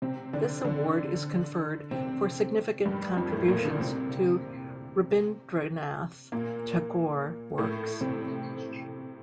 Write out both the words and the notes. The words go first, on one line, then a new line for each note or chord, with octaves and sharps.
This award is conferred for significant contributions to Rabindranath Tagore works.
C3 C4
D3 D4
D3 D4
C3 C4
G2 G3
F2 F3
A2 A3
A#2 A#3
D3 D4
C3 C4
A#2 A#3
A2 A3
C3 C4